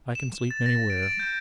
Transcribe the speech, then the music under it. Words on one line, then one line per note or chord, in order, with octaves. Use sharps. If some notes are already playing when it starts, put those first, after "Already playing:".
'I can sleep anywhere.
E7
A6
A#6
D7
D7
G6